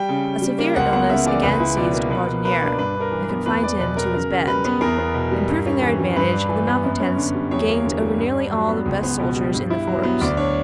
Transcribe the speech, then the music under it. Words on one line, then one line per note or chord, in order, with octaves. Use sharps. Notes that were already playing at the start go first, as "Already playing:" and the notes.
A severe illness again seized Laudonniere, and confined him to his bed. Improving their advantage, the malcontents gained over nearly all the best soldiers in the fort.
Already playing: G3 G5
C#3
C#3
G3
A#3
C#2 F#5
B3 F#5
C#3 E5
E3 D5
C#2 B4
E4
B2 D5
A#3
B2 B4
B2
A#3 B4
D4
G2 B4
D4
A#4
E3
B4
B3
E2 B4
E2 D5
B2 B4
F#3 A#4
C#3 A#4
C#3
G3 B4
B3
E2 A#4
B3
B2
G3
G2
C#4
E3
G3
G2 B4
D4
E3
B3
F#2
C#4
D3
G3
E2 C#5
A#3
D3
G3
G2
D4
F#3
B3
C#2
B3
B2
G3
G2
E4
F#3
B3
D2 D5
D4 C#5